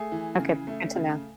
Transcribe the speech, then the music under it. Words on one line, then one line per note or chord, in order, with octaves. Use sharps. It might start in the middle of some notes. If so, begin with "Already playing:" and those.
Okay, good to know.
Already playing: A3 G#4
E3
C#3
A3
C#3